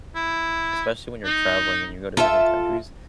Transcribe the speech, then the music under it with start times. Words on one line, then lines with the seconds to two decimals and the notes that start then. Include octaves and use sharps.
especially when you're traveling and you go to different countries,
0.16 E4
1.25 D#4
2.17 F4 A4 E5